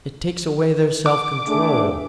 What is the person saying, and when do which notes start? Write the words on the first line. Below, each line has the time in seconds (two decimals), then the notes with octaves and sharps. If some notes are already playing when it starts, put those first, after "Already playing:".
It takes away their self-control.
1.06 D6
1.47 A3 D4 G#4